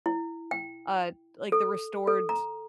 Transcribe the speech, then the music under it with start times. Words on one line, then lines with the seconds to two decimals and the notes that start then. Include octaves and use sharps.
uh, like, the restored,
0.06 E4
0.51 G5
1.52 A4
2.07 A4
2.29 A#5